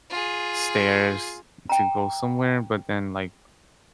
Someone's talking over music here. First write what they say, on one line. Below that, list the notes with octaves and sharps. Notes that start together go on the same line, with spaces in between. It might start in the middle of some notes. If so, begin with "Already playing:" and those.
stairs to go somewhere, but then, like,
F4 G#4
G5 A#5